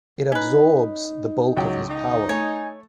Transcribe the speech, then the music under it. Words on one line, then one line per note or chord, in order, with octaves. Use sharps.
It absorbs the bulk of his power.
C#4 D#4 B4
C#2 F#3 F#5 G5
D#4
A3 C#5 G#5